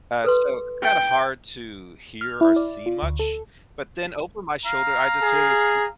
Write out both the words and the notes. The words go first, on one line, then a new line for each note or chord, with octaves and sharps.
Uh, so it's kinda hard to hear or see much, but then over my shoulder, I just hear this
A4 B4 C6
G5
F6
E4
D5
F4
D2
A4
F5 A#5
G#4